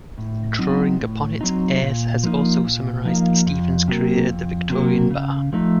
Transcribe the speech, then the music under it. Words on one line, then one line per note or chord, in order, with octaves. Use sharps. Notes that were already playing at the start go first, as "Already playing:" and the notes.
Drawing upon it, Ayres has also summarised Stephen's career at the Victorian Bar.
A2
F#3 C4 D#4
A2
F#3 C4 D#4
A#2
F3 A#3 D#4
A#2
F3 A#3 D#4
F2
C3 F#3 A#3
F2
C3 F#3 A#3
C#3
F3 A3 D#4